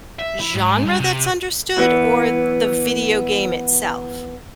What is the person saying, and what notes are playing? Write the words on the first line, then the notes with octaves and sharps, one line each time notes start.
genre that's understood or the video game itself?
E5
E4
G#2
G2
C3
E3 B3